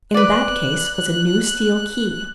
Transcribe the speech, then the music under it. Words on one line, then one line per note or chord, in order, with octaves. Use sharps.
In that case was a new steel key.
B4 D5 F#6